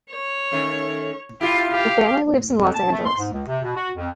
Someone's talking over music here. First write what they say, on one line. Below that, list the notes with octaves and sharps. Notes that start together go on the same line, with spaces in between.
The family lives in Los Angeles.
C#5
D#3 A3 C#4
E4 F4 G4
G4 F5
F2
A5
A3
C6
G#2
C#2
C3
B2
F#4
F2